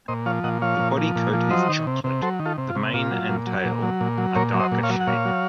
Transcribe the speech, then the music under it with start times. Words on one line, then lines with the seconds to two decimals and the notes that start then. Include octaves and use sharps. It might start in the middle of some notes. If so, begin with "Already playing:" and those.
The body coat is chocolate, the mane and tail a darker shade.
0.08 A#2 C5 D#5
0.26 F3 C#5 F5
0.44 A#2 D#5 F#5
0.62 F3 C#5 F5
0.79 A#2
0.97 F3
1.16 A#2
1.33 F3
1.51 F#3 C5 D#5
1.69 D#3
1.87 C3
2.04 C3
2.22 F#3 A4 C5
2.39 D#3
2.46 F4 A4
2.58 C3
2.70 F4
2.75 C3
2.94 A#2 F4
3.11 F#3
3.29 A#2
3.47 F#3
3.64 A#2
3.83 F#3
4.01 A#2
4.18 F#3
4.35 A#2 A#4 C#5
4.54 F#3
4.60 C5 D#5
4.72 A#2
4.83 C#5 F5
4.89 F#3
5.00 F#5
5.07 A#2 C#5 F5
5.25 F#3